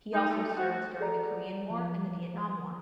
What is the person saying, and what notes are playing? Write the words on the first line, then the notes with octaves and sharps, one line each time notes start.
He also served during the Korean War and the Vietnam War.
D#4
A3
F#4
G#4 A4 D5 A#5
F3